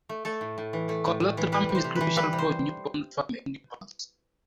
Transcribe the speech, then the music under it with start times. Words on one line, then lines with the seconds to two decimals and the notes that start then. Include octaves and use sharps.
Colostrum is crucial for newborn farm animals.
0.09 A3
0.25 A3 A4
0.41 A2
0.58 A2
0.73 E3
0.89 A3
1.06 A2
1.20 A2
1.37 E3
1.52 G3 B4
1.69 C3
1.75 C5
1.84 C3
1.95 B4
2.01 E3
2.16 G3 B4
2.33 C3
2.38 C5